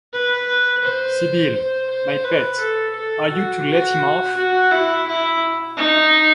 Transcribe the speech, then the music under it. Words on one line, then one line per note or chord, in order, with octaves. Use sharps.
Sybil, my pet, are you to let him off?
B4
C5
C5
C5
B4
A4
A4
F#4
F#4
F#4
E4
E4
D#4